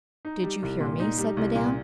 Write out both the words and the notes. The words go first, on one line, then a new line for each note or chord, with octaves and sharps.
"Did you hear me?" said Madame.
D#4
G3
C2
A#2
D#4
G3
C2
A#2